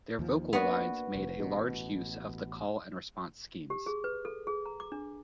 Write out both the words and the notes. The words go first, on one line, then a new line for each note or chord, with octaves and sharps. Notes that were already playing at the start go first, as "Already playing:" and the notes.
Their vocal lines made a large use of the call and response schemes.
D#2 F3
A#3 B3 D4 F#4
F1
A1 B2
G4
G#4
B4
A4
G#4
A#5
D6
D4